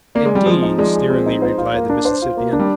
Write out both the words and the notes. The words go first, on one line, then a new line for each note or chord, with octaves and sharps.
"Indeed!" sneeringly replied the Mississippian.
A#3 D5
G#3
G3 G#4
F3 G#3 C4
D#4
F3 G#3 D5
G#4
C4
D#4
C5
F4
A#3
D4
C5
F4
A#3
D4
G3